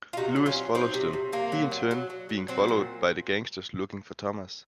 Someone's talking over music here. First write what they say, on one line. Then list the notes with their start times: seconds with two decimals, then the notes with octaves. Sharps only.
Lewis follows them, he in turn being followed by the gangsters looking for Thomas.
0.13 F4
0.17 C3 D#4 F#4
0.36 F#3
0.46 C#4 F4
0.56 F#3
0.75 F#3 C4 D#4
0.94 C3
1.13 C3
1.32 C3 A#3
1.52 F#3
1.71 F#3
1.91 F#3
2.10 F#3
2.29 F#3
2.48 F#3 C4
2.68 A#2